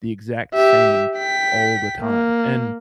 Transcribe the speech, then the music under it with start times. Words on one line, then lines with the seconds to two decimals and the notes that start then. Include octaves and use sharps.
the exact same all the time. And
0.55 G4 E5
1.17 G5 B6
2.02 A#3